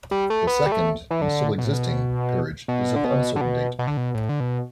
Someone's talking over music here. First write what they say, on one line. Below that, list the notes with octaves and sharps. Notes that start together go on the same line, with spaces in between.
The second, and still existing, peerage is of uncertain date.
G3
A3
B3
G3
A3
E3
D3
B2
A2
B2
B2
D3
B2
D3
B2
B2
D3
B2
A2
D3
B2